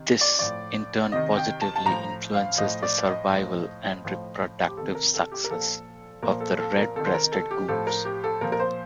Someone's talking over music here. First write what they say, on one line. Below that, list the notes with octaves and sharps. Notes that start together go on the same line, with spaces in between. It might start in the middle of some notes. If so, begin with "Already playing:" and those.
This in turn positively influences the survival and reproductive success of the red-breasted goose.
Already playing: C3 D#3
D5
A2 F3 D5
C3 D#3 D#5
G5
A5
A5
A2 F3 A#5
F5
A2 F3 D#5
D5
D#5
A2 F3
A2 F3
G4
C3 D#3 A4
A#4
A4
G4
A#4
A#2 F3 A4
A#2 F3 A#4
A4
A4
A#4
C3 D#3 A4
C5
A#4
A4
G4
A2 F3 A4
A#4
G4
A4
A#2 F3 A#4
A#4
C5